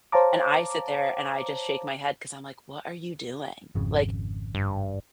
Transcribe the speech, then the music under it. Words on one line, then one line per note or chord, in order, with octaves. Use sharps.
and I sit there and I just shake my head 'cause I'm, like, what are you doing? Like
C5 C#5 F5 A5 A#5 D6
G#1 F2 C#3
G2